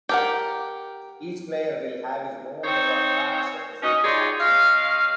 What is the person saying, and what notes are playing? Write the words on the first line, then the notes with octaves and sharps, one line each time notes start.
Each player will have his own deck of cards representing that team.
G4 A#4 F#5
C4 D#4 C5 C#5
C#4 D#4 F#4 D#5
D#4 F4 G#4 C#5 D5
G#3 C#4 F5